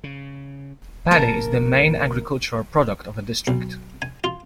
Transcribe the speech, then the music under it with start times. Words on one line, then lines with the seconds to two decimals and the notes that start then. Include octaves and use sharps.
Paddy is the main agricultural product of the district.
0.04 C#3
1.11 A#1 C#3 A#3 A#4 A5 A#5
3.47 B1
4.02 G#5
4.24 F4